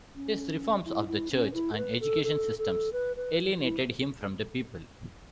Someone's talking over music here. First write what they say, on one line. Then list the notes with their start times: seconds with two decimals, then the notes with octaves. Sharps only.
His reforms of the church and education systems alienated him from the people.
0.15 C#4
0.85 E4
1.08 E4
1.31 C#4
1.54 E4
1.73 A4
1.77 B4
2.00 A4
2.24 A4
2.58 A4
2.93 B4
3.16 B4
3.62 E4